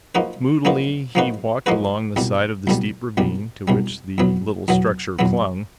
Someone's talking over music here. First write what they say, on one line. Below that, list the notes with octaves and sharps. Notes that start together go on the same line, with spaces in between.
Moodily he walked along the side of the steep ravine to which the little structure clung.
F3 A#3 D#4 F#4 B4
F3 A#3 D#4 F#4 B4
F3 A#3 D#4 F#4 B4
F3 A#3 D#4 F#4 B4
C2 B2 G3
C2 B2 G3
C2 B2 G3
C2 B2 G3
E2 B2 F#3 B3
E2 B2 F#3 B3
E2 B2 F#3 B3